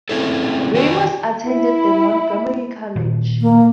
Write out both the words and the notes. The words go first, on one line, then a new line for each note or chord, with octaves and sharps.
Ramos attended the Montgomery College.
A3 C4 C#4 E4 G#4 A4
D#3 F#4 G#5
E4
A#2 D#3
A#3